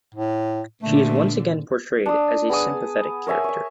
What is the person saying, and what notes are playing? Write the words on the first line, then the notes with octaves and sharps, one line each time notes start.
She is once again portrayed as a sympathetic character.
A2
A#2 D3 A3
D4 D#6
B3 G#4 A5 D#6
A#4 C#5 E5 G#5
E5 C#6